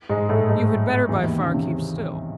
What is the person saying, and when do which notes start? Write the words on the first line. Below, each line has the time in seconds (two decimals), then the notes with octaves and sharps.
You had better by far keep still.
0.09 G#2 G#3
0.29 A2 A3
0.49 G#2 G#3
1.09 E2 E3
1.24 D#2 D#3
1.39 C#3
1.54 C3